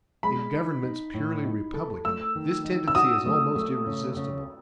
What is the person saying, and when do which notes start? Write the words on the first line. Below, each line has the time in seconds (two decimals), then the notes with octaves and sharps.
In governments purely republican, this tendency is almost irresistible.
0.23 G#3 B5
0.54 D#4
0.83 D#4
1.14 A2
1.44 D#4
1.74 A4
2.05 A3 E6
2.35 D#3
2.65 D#4
2.88 E6
2.95 F#4 D#6
3.26 A3
3.55 A3
3.86 C#3
4.16 C#3